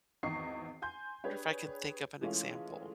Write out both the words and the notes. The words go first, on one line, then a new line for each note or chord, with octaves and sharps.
Wonder if I can think of an example.
G#1 E2 D#3 D#5 C#6 C7
G#5 C6 G6
D4 G4 G#4 B4 C#5
E3 G#3 A3 C#4 F4